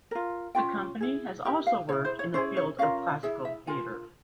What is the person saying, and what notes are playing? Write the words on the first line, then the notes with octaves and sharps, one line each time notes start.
The company has also worked in the field of classical theatre.
F4 A#4
C#4 F4 G5
E4 G#4
E4 G4 A#4 G5
F5
E4 G#4 C#5
C5
C#5
C#4 E4 G#4 C5
C#5
C#4 F4 A#4 F5
E4 G#4 E5
E5
F4 A#4 G#5